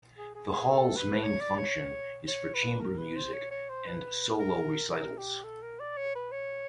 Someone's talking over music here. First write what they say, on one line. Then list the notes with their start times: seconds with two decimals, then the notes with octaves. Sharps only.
The Hall's main function is for chamber music and solo recitals.
0.18 G#4
0.35 G#4
0.52 G#4
0.70 A4
0.96 B4
1.23 C#5
1.41 D5
1.58 C#5
2.27 C#5
2.54 B4
2.81 A#4
2.98 B4
3.16 C5
3.33 C#5
3.51 C#5
3.69 C5
3.86 B4
4.39 A#4
4.92 A#4
5.18 G4
5.44 A4
5.62 A#4
5.80 D5
5.97 C#5
6.15 B4
6.32 C#5